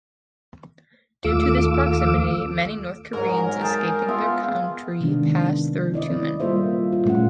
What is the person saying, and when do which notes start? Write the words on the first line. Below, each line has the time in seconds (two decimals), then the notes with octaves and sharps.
Due to this proximity, many North Koreans escaping their country pass through Tumen.
1.24 D#2 A3 F4 D6 E6
3.13 G#2 F#3 A#4
3.61 G#4 G5 A5
4.08 B3 F4 E5
5.01 C3 D#3 G#3 B3 D4
5.94 E4 D5 D#5
6.40 G3 A#3 F4 A4 C5 E5
6.93 F4
7.05 A#2 G#3 A3 C#4 F#5